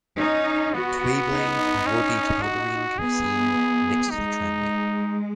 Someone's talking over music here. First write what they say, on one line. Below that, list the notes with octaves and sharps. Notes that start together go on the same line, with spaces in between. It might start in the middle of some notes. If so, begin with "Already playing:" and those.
Twayblade and broadleaved helleborine can be seen next to the tramway.
C#4 D#4
B3 F#4
D#4
C#4
F#4
B3 G#4
G#3 D#4